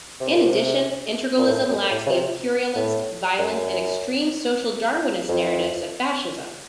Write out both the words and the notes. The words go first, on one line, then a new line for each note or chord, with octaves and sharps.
In addition, integralism lacks the imperialist, violent, and extreme social darwinist narratives of Fascism.
C3
A#2
C3
A#2
A2
F#2
A2
C#3
C3
A2
F#2
F2